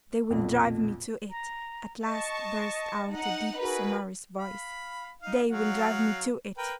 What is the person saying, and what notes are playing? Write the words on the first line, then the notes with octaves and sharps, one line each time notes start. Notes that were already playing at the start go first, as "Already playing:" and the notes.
'They will drive me to it!' at last burst out a deep sonorous voice. 'They will drive me to it....
B1 F2 A#2
A#5
D#5 A5 C#6
D#4 F#5
F#4 G#4 A#4 B4
F5 B5
D#4 F5
F#3 F5 F#5
A#4 B4 G5